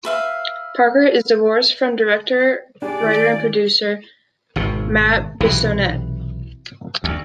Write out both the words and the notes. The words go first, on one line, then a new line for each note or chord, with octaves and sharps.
Parker is divorced from director, writer, and producer Matt Bissonnette.
B4 E5 F5
D4 G4 G#4 D5
D#3 A3 E4
G#1 B2
B1 C3 E3
D2